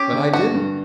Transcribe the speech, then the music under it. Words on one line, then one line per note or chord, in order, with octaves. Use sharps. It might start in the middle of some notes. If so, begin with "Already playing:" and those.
"But I didn't."
Already playing: C#4 G4
D3
G2 F#4
G2